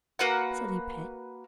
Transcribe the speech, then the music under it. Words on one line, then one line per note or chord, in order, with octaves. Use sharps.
Silly pet!
A#3 F#4 B4 F#5